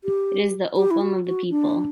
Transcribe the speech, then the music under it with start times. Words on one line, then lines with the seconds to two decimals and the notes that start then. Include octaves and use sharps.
It is the opium of the people.
0.04 G4
0.77 G4
0.91 E4
1.01 F#4
1.26 F#4
1.50 D4